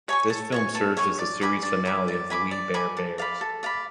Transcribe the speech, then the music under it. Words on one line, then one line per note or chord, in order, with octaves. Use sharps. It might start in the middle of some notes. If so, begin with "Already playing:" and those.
This film serves as the series finale of "We Bare Bears".
C#5 G#5 C#6
A4
C#5 G#5 C#6
A4
C#5 G#5 C#6
D5
G#5 B5 D6
D5
G#5 B5 D6
D5
G#5 B5 D6
D5
G#5 B5 D6
A4
D5 F5 B5
A4
D5 F5 B5